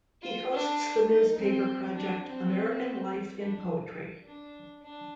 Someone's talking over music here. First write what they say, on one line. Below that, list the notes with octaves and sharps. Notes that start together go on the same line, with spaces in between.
He hosts the newspaper project American Life in Poetry.
F4
D4
D#4
C4
D4
C4
D4
D4
D4